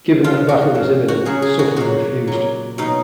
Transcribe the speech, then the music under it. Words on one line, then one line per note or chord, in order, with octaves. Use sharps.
Given that battle was imminent, Suffren refused.
C#3 F3 F4
F#4
C#3 F3
F#4
C#3 F#3 G#4
G#4
F#4
A#2 F#3 F#4
A#2 F#3
B2 F#3 D#4